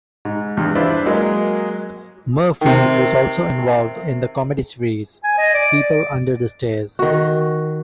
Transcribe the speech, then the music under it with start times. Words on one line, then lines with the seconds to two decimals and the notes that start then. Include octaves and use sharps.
Murphy was also involved in the comedy series "People Under the Stares".
0.25 G#2
0.57 E2 G2
0.75 D4 E4 F4 B4 C5 D5
1.06 F#3 G#3 A#3
2.61 C3 D#3
5.24 G#5
5.38 D#5
5.54 D5
6.99 D#3 F#4